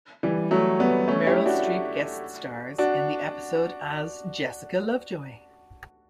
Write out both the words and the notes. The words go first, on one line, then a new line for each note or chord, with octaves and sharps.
Meryl Streep guest stars in the episode as Jessica Lovejoy.
E3 G3
F#3 A3
G3 B3
A3 C#4
E4 G4
D4 F#4
D4 F#4